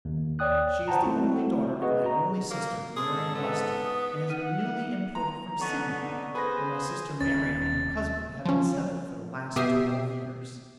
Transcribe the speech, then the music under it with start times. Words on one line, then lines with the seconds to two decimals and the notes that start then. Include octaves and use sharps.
She is the only daughter of my only sister, Marian Lester, and has been newly imported from Sydney, where my sister Marian and her husband have been settled for the last twelve years.
0.05 D#2
0.39 C#5 D5 G5 D#6 F#6
0.88 C5 F#5 G5 A5 A#5
1.02 A3 C4 E4 F#4
1.82 F#4 G#4 B4 D#5
2.06 A#5
2.51 A#3
2.96 G#2 G#4 A4
3.35 B3
3.85 D#6
4.30 D#4 E5 F#5 F6 D#7
5.15 A#5
5.60 D3 B3 C#4 D#4 F#4
6.35 G#4 B4 C5 A#6
7.21 D#1 D#2 C#4 A6
8.46 F3 C#4
9.56 B2 G4 E5 D#6 C7